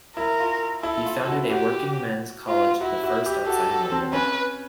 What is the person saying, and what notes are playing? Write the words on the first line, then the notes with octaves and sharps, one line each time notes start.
He founded a Working Men's College, the first outside London.
E4 A#4
F4
E4 A4
F4
F#4
F#4 G4
F4
E4 F#4
F#4
G4
F#4 A4
F#4
C4
C#4 B4